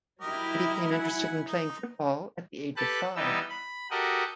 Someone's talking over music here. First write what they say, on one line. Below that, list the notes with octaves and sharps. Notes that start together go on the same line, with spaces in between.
He became interested in playing football at the age of five.
F#3 E4 G4 A#4 D#5
F#5 G#5
D#4
G4 A4 B4 A5 F#6
E3 G3 B3 D#4 E6
B5
F#4 G4 A4 A#4 D#5